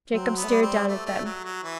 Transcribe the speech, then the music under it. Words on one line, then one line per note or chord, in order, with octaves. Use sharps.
Jacob stared down at them.
F#3 C4
B3
A3
G3
C4
A3
A3
F#3
F#3
E3